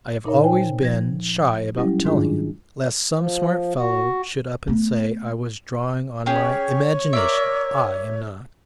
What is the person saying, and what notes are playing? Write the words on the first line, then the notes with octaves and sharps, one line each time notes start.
I have always been shy about telling it, lest some smart fellow should up and say I was drawing on my imagination: I am not.
A#2 D#4 A#4 C#5
C5 G5 G#5
F3 G#6 A#6
F#3 G3 C#4 E4 G4
G#2 D#3 G#3 D4 F4 G#4
F3
F#4
A3 B3
C#4 G4 G#4 C#5
A#4 D5 E5